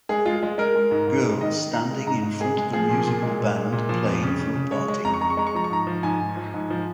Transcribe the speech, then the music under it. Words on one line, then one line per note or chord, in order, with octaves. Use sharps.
Girl standing in front of a musical band playing for a party.
G#3 G#4
G#3 F4
G#3
G#3 A#4
G#3
G#2
G#2
G#3
D#3 D#5
D#3
D#3 A#5
G#3
G#2 A#5
G#2
G#3 G#4
G#3
F3 G#4
A#2
A#2
G#3
A#2
G#3
A#2
F3
F2
C#3
C#3
C#3
G#3 C#5
G#3
F2 A#5
C#6
G#3 A#5
C#6
G#3 A#5
C#6
F3 A#5
C#6
G#2 A#5
F3
G#2 G#5
G#2
F3
G#2
F3